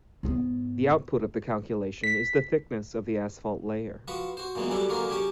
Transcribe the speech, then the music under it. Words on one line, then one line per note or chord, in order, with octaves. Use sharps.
The output of the calculation is the thickness of the asphalt layer.
G#2 B3
B6
F3 F#4 B4 C#6
F#4 C5
A#2 E3 F#3 G#3 B3
F#3 G3 D4 G#4 A4
D3 F#3 A#3 F#4 G#4 A#4
F#3 C#4 G4 G#4 C#5